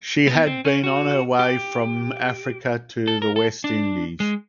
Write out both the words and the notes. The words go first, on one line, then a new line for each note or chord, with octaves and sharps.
She had been on her way from Africa to the West Indies.
B3
C4
C#4
F#4
G4
A4
A#4
A4
D4
G#3